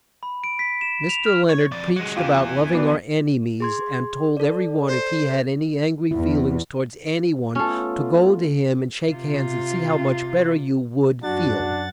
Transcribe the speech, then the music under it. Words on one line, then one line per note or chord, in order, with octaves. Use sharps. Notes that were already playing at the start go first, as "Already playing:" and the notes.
Mister Lennard preeched about loving our ennymies, and told every one if he had any angry feelings towards ennyone to go to him and shake hands and see how much better you wood feel.
B5
D7
B6
E7
F7
F6
C#5
F2 D5
F#3 G#3
E2 E3 F4 G4
B3 D4 F#4
G#4 C6 G#6
A4 D5
C5
E2 E4
A3 B3 C#4 F4 A4
C3 F4
F#2 D4 F#4 F#5 A6